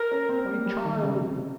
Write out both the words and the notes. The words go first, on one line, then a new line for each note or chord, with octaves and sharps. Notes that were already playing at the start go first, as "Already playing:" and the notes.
My child!
Already playing: A#4
C#4
C4
A#3
G3
D#3
D#3
C#3
C3